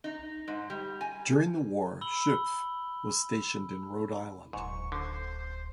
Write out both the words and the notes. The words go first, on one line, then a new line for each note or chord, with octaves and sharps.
During the war Schoepff was stationed in Rhode Island.
D#4
G#2
G3
G#5
B5 E6 F#7 G7
D1 G#2 C#6
D3 C5